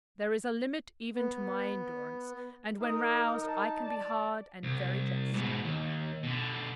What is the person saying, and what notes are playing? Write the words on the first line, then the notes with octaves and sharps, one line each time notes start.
There is a limit even to my endurance, and, when roused, I can be hard and very just.
B3
D#4 A#4 D#6
A5
D5
C2
G#2 B2
D#2
B2 D3